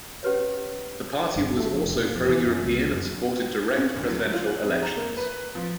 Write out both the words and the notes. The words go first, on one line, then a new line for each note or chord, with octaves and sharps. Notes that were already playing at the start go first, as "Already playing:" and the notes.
The party was also pro-European and supported direct presidential elections.
C#4 G4 B4 C#5
G1
A3
F3
F1
A#2
F2
E3
F#2
C#2
F#2
B3
C#4
D2
F#3
F4
F#6
F2
A#5
A#3
B4
F3